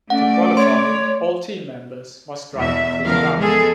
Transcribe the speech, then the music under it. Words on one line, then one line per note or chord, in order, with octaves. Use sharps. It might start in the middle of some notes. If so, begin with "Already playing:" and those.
To qualify all team members must run a clean round.
A3 C#4 D5 F#5
C#5 C6
E2 B2 E5
E2 C#3 F3 G#3 A#4 F5
G#3 B3 G#4 A4